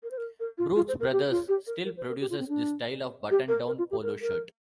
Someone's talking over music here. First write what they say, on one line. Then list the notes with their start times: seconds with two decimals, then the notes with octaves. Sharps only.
Brooks Brothers still produces this style of button-down "polo shirt".
0.03 A#4
0.11 C5
0.17 A#4
0.40 A#4
0.58 F4
0.76 F4
0.88 C5
1.00 A#4
1.12 G4
1.31 F4
1.48 G4
1.67 A#4
1.85 A#4
1.97 C5
2.09 A#4
2.21 G4
2.30 F4
2.39 C4
2.48 D4
3.31 G4
3.48 A#4
3.67 A#4
3.78 F4
3.91 G4
4.03 A#4
4.21 A#4